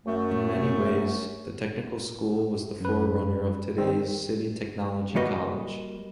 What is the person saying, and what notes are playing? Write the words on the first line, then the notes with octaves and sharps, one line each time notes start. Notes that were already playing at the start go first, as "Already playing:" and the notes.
In many ways, the technical school was the forerunner of today's City Technology College.
F#2 A3
F#2 B4
D#3 G3 C4
G3 A#3 F#4 B4 D#5